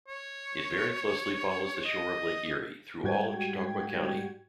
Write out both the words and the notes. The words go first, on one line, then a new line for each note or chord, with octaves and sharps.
It very closely follows the shore of Lake Erie through all of Chautauqua County.
C#5
D#5
G#2 G3 F#4 G5 G#6